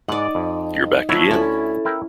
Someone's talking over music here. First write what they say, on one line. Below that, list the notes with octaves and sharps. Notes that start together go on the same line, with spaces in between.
You're back again.
G#2 D#4 D5 D#5 F#5
F2
F3 F#3 E4 C#5
D2 C#4 E4 A4
E4 A#4 G5